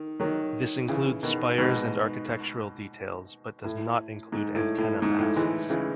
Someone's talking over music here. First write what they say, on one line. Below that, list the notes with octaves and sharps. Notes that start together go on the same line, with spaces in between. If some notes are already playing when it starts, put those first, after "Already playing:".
This includes spires and architectural details but does not include antenna masts.
Already playing: D#3
D#3 F#3
C#3 E3
B2 D#3
G#2 B2
A2
G#2
A2
A2
G#2
A2
E3 G#3
C#3 E3